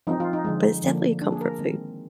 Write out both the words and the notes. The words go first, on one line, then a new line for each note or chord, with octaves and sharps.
Um, but it's definitely a comfort food.
F3 C4 D#4
F4
D#4
D3 F3 G#3
D3 F3 A#3
F3 A#3 D4
G#4
A#4
D#3 G#3 C4